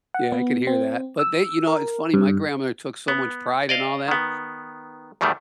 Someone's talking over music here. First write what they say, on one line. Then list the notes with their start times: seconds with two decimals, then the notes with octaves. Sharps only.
Yeah, I could hear that, but they, you know, it's funny, my grandmother took so much pride in all that,
0.14 F#5
0.32 B3
0.67 C4
1.19 E6
1.67 A#4
2.14 G2
3.08 B3
3.69 D5 D#5 F5
4.08 D#3 B3
5.21 E2 B2 D#3 G3 A3